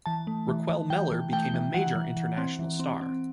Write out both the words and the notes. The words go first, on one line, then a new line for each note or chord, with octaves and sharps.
Raquel Meller became a major international star.
E3 A5
A3
E3
E3
E3 G5
E3
A3 G5
E3
E3 F#5
E3
E3
C4
E3
C4
C4